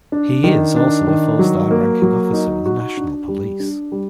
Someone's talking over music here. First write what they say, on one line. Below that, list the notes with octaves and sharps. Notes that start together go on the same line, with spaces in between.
He is also a four-star ranking officer in the National Police.
D4
D#3
D4
D#3
F#3
A#3
F#3
D#4
F#4
D4
G3
D4
G3